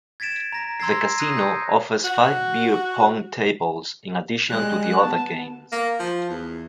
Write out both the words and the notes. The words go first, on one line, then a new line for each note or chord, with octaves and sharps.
The casino offers five beer pong tables in addition to the other games.
G#6 A6 B6 D7 E7
A#5 A#6
A#5 C6 E6 G#6 A#6 C7
D#6 F#6 A#6 C7 D#7
G6 C#7
F#4
G3 G#3 F#6
B3 A5
A#3
F3
E2